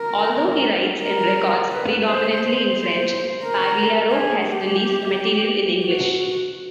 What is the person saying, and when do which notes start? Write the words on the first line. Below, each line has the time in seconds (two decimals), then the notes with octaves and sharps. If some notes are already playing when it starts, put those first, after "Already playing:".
Although he writes and records predominantly in French, Pagliaro has released material in English.
Already playing: A#4
1.03 A#4
1.71 B4
2.06 C5
2.74 C5
3.43 A#4
4.12 G#4
4.46 G4
5.84 F#4